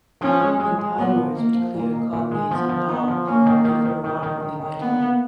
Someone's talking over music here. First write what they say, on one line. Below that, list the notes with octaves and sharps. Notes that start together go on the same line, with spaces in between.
Even Thai words with clear cognates in Lao can differ remarkably by tone.
F3 C#4
G#3
G#3
G#3
A#2 B3
F3
A#3 D#4
F3
A#2 A#3
D#4
A#2
G#3
F3 B3
F3
B3 D#4
F3
A#3 C#4
D#3
D#3
D#3
D#3
D#3
D#3
D#3
A#3 B3
A#3